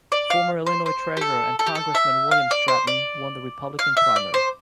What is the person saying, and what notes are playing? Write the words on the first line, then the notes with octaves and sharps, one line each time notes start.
Former Illinois Treasurer and congressman William Stratton won the Republican primary.
D5
F5
C5
C5
G4
A4
A4
G4
A4
E5
F5
D5
C5
D5
F5
E5
D5
C5